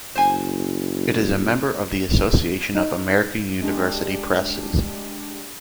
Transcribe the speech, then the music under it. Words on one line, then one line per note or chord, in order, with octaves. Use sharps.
It is a member of the Association of American University Presses.
F#1 C5 G#5
D#4
G#3 D4 G4